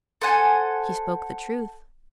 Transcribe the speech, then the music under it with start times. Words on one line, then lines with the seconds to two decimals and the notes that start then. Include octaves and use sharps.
She spoke the truth.
0.22 A4 C5 F#5 G#5